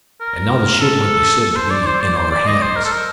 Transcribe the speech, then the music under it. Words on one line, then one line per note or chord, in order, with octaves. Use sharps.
And now the ship might be said to be in our hands.
A#4
A4
A4
C5
D5
C5
D5
C5
D5
D#5
C5
A#4
A4
A#4